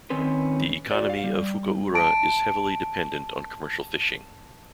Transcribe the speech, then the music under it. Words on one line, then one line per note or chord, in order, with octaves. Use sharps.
The economy of Fukaura is heavily dependent on commercial fishing.
D#3 C4 C#4 B4
F#4 D5
F5
G3
A5 D7